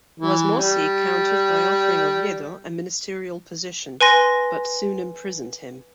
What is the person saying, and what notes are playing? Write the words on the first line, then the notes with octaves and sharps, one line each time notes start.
Wasmosy countered by offering Oviedo a ministerial position, but soon imprisoned him.
E3
G3
B4 G#5 C6 A#6